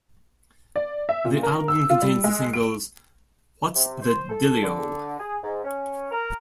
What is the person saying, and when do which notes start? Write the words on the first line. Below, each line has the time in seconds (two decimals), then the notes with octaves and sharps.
The album contains the singles What's the Dillio?
0.76 D5
1.09 E5
1.25 A#2
1.43 A#4
1.68 E6
1.90 F4
2.02 G3
2.24 G#3
2.53 D7
3.75 C3
4.01 C5
4.29 A4
4.63 D3
5.19 G#4
5.42 G#2
5.64 C#4
6.11 A#4